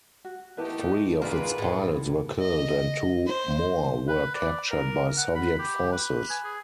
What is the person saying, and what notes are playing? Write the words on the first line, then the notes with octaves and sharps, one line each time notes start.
Three of its pilots were killed and two more were captured by Soviet forces.
F#4
E3 A3 B3 D#4 E4 G4 B4 A5
C#2 G#2 A#3 F4 A#4 B4 D5 G#5
A2
D#5
C5
B4
D5
A#4
F#5
B5
G4
B4
G#5
G#4